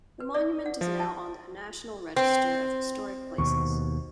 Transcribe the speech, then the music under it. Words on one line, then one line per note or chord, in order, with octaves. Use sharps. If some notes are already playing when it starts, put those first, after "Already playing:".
The monument is now on the National Register of Historic Places.
B4
D5 E5
F#5
F3 E5 F5
E5 A5
C4 C5
D#2 B2 C#6